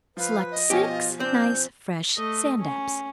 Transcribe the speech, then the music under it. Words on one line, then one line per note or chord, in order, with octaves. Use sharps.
Select six nice fresh sand-dabs.
F3 B4 F5
D#5
B2 F3 C#4 G4 G#5
F4
C4 D4 G6
A3 D#5
C#4